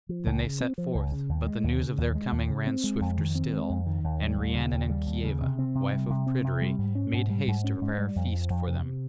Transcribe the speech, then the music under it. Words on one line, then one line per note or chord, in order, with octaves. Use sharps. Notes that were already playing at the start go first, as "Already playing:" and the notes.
Then they set forth, but the news of their coming ran swifter still, and Rhiannon and Kieva, wife of Pryderi, made haste to prepare a feast for them.
F3
C#2
C#3
C4
F3
C#2
C#3
D#2
G#3
D#2
C#3
D#2
G#3
D#2
C#3
C4
G#3
F2
D#3
C4
G#3
F2
D#3
D#2
G3
D#2
C#3
D#2
G3
D#2
C#3
C3
C4
C3
G3
C3
C4
C3
G3
G#2
C#4
G#2
G3
G#2
C#4
G#2
G3
F2
F3
F2
C3